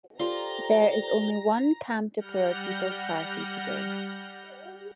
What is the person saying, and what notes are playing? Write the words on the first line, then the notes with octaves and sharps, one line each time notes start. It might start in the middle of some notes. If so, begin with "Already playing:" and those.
There is only one Kamtapur People's Party today.
F4 G4 A4 C5 D5 G5 A#5
G3 F#5 F6 G6 A#6